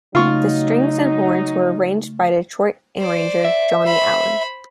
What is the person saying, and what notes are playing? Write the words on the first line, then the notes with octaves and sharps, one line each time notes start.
The strings and horns were arranged by Detroit arranger, Johnny Allen.
C#3 F#3 A3 D#4 F4 C#6
C5 D5
E5
C5 B5